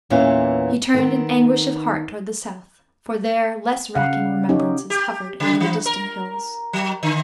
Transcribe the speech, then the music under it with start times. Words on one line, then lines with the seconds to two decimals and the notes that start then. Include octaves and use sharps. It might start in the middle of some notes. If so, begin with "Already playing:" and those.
He turned in anguish of heart toward the south, for there less racking remembrances hovered over the distant hills.
0.10 E2 A#2 E3 C#4 F4 F5
0.94 D#3 B3 C4
3.95 C#3 F5 F#5
4.49 C#4 D#4 G4 C#5
4.90 G4
5.40 C#3
5.60 E3
5.86 A#4
6.73 F#3
7.03 D3